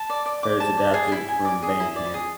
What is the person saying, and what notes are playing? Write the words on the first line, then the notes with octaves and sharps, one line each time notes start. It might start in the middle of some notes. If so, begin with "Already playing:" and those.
Credits adapted from Bandcamp.
Already playing: A5
D5
D5
D6
A5
D5
G#4
E4
G#5
D5
G#4
E4
D5
G#4